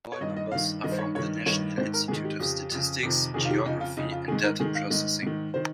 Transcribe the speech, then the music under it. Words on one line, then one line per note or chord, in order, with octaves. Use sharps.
All numbers are from the National Institute of Statistics, Geography, and Data Processing.
C#5
G2 D#3 D#5
D#5
G2 D#3 F5
G2 D#3 D#5
C5
C#5
G2 D#3 C#5
G2 D#3 C#5
G#2 D#3 C5
A#4
G#2 D#3 G#4
G4
F2 C#3 G4
F2 C#3
F2 C3 D#3
F2 C3 D#3 G#4
F4
G4
F2 C#3 D#4
F4
F2 C#3 D#4
F4
G#2 D#3 G#4
A#4
G#2 D#3 G#4
F5
G#2 D#3 D#5
G#2 D#3
D#3 C5